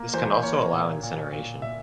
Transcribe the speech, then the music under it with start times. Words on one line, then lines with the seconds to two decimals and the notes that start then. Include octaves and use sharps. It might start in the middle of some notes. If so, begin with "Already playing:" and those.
This can also allow incineration.
Already playing: A#3
0.14 E3 C5
0.43 A#3 C#5
0.73 A#2
1.03 A#2
1.32 A#2
1.62 A#2 E5